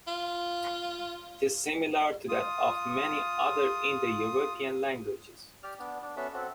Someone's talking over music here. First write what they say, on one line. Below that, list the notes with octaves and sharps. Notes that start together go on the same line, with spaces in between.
It is similar to that of many other Indo-European languages.
F4
F4 D#6
G4 D5 F6
B3 D4
D4
B3 C#4 F#4 A4 E5
C4 F#4 A4